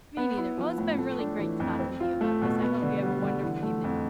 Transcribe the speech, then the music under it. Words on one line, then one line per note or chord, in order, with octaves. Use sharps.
me neither, well, it's been really great talking to you about this, I hope you have a wonderful evening.
B3
E4
F3
A2
A3
D4
E3
F2
C4
F4
A3
B2
B3
D3
G3
D3
E3
A3
F2